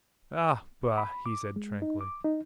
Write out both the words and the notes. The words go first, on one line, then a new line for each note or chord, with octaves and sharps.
"Ah, bah!" he said tranquilly.
B5
D6
G#3
D#4
D6
D#4